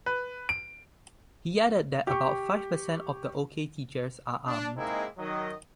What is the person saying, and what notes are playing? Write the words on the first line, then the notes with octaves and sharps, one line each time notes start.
He added that about five percent of the Okay teachers are armed.
B4
D7
G4 C#6
D4
G#3 A#3 C4 D#4 E4 G#4
D#3 F#3 D#5